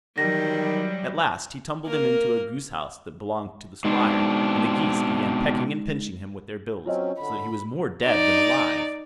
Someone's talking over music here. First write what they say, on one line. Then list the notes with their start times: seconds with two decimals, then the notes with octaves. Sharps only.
At last he tumbled him into a goose-house that belonged to the Squire, and the geese began pecking and pinching him with their bills, so that he was more dead than alive.
0.18 D#3 E3 F#3 G3 A#6
1.85 A#3 A#4
3.84 B2 G#3 C4 D4 D#4
6.86 F#3 C4 C#4 F4 C#5 D#5
7.18 D3 B5
8.06 D#4 D5